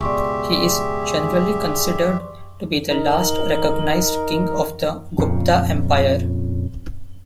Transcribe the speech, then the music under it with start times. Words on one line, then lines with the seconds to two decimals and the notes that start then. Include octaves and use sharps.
He is generally considered to be the last recognized king of the Gupta Empire.
0.01 C#2 B2 G4 G#4 D5 E5 C6 C#6
2.92 D#4 A#4
5.18 F2 A#2 C#3